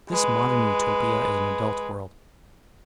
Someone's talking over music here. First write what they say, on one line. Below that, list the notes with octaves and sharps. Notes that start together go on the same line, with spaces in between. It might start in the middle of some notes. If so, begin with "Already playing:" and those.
This modern Utopia is an adult world.
G#3 B4